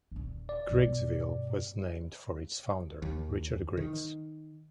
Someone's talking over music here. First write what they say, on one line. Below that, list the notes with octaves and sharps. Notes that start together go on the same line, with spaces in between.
Griggsville was named for its founder, Richard Griggs.
D#1 D3
D5
G2 B2
D#2
D#3